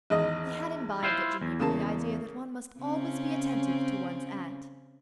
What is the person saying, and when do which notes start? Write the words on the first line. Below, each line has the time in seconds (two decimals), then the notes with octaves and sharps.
He had imbibed at Geneva the idea that one must always be attentive to one's aunt.
0.10 G#1 E2 D#5
1.03 E4 F4 C5
1.41 E2
1.60 C#3 A#3 A5
2.80 C#3 C4 C#4